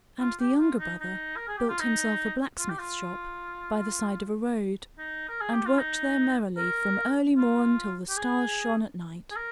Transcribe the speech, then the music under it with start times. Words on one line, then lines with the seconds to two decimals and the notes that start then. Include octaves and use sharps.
And the younger brother built himself a blacksmith's shop by the side of a road and worked there merrily from early morn till the stars shone at night.
0.20 F4
0.40 G4
0.60 F4
0.80 D#4
1.00 D#4
1.36 A#4
1.48 G#4
1.58 G4
1.69 F4
1.79 D#4
2.59 F4
2.69 G4
2.79 F4
4.98 D#4
5.29 A#4
5.41 G#4
5.53 G4
5.66 F4
5.78 D#4
6.57 A#4
7.37 F4
8.09 G4
8.17 G#4
9.31 G#4
9.36 A#4